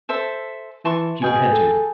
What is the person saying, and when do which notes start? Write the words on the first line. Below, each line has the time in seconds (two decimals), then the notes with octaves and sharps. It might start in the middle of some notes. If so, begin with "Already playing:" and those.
She panted.
0.09 A4 C5 E5
0.85 E3 A5 C6 C#6
1.22 B2 G#4 G5 G#5
1.52 A4